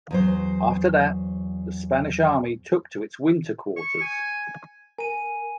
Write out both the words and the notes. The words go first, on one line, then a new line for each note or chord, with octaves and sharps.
After that, the Spanish army took its winter quarters.
E2 F#3 C5
C#6
G#5
A#4 G#5 D#7